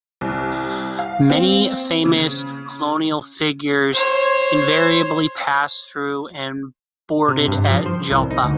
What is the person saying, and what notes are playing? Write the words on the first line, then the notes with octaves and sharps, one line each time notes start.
Many famous colonial figures invariably passed through and boarded at Joppa.
C2
F5
C4
C#3
C5 C#5
C3
G2
F3
C5
C2
D#4
D2